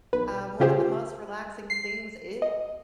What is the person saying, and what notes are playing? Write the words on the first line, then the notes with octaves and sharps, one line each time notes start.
Um, one of the most relaxing things, e
B1 B4
C#3 F4 G4 G#4 C5
C7
D#5